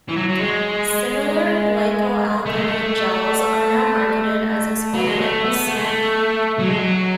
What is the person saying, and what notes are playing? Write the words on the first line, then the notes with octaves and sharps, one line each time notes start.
Similar glycoalkaloid gels are now marketed as exfoliants.
E3
F#3
F#3
G#3
A3
G#3
A3
F#3
G#3
A3
B3
A3
G#3
A3
F#3
G#3
F#3